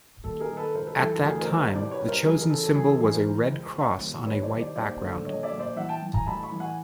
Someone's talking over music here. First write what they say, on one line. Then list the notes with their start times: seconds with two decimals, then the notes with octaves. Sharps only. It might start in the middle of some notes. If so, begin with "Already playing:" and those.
At that time, the chosen symbol was a red cross on a white background.
0.24 D#2 A4
0.40 G#4 A#4
0.49 D#3
0.57 A4 B4
0.74 C#2 A#4 C5
0.87 A4 B4
0.99 E3 A4
1.12 A4
1.24 D2 G#4 A#4
1.41 A#4 C5
1.49 D#3
1.58 A#4 C5
1.75 C2 C5 D5
1.91 B4 C#5
2.00 C2
2.08 A#4 C5
2.24 E3 G#4 A#4
2.37 G#4 A#4
2.50 C#3 A4
2.63 A4
2.75 E3 G#4
2.87 A4
3.00 E3 G#4
3.13 A#4 C5
3.26 C#2
3.51 C#2
3.76 C#3
4.01 D#2
4.26 C2 B4 C#5
4.43 C5 D5
4.51 D#3
4.60 C5 D5
4.76 D#2 C5 D5
5.01 D3
5.26 A#1 C#5 D#5
5.43 D5 E5
5.52 A#1
5.60 C5 D5
5.76 E3 E5 F#5
5.89 G5 A5
6.02 E3
6.14 G#5 A#5
6.26 A1 A5 B5
6.43 B5 C#6
6.52 E3
6.60 F#5 G#5